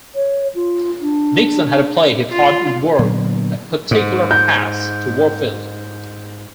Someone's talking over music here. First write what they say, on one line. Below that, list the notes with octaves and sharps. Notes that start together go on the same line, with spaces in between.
Nixon had a play he thought would work, a particular pass to Warfield.
C#5
F4
D4
F4
A#2 D3 F#3 B3
G#2
G6